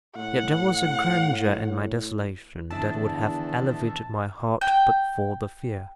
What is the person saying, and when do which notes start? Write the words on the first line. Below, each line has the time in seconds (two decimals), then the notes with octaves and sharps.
Yet there was a grandeur in my desolation that would have elevated my heart but for the fear.
0.16 A2 F#5
2.70 E2 D3 D#3 D4 E4 E5 A5
4.61 G5